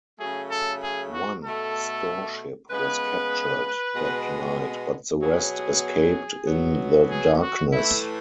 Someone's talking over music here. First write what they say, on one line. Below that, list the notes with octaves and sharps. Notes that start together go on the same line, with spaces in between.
One storeship was captured that night, but the rest escaped in the darkness.
C#3 F#3 A3 G#4
A4
G#4
F#4
B2 A3 A4
C#3 G#3 B3 B4
B2 G#3 B3
B2 F#3 B3 G#4
B2 F#3 B3
G#4
F#4
A2 E3 A3 E4